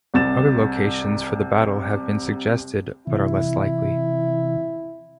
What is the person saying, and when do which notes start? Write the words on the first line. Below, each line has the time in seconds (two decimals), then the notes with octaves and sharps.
Other locations for the battle have been suggested but are less likely.
0.14 C2 C3 A6 E7
3.07 C3 E3 E4